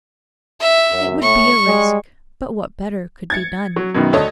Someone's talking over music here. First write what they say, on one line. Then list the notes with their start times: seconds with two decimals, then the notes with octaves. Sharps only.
It would be a risk, but what better could be done?
0.61 E5
0.90 F#2
1.22 A2 C#6
1.66 G3 G#3
3.30 G#6 A6 C#7
3.76 F#3
3.95 F#2 B2 D#3
4.13 D2 A4 C#5 D#5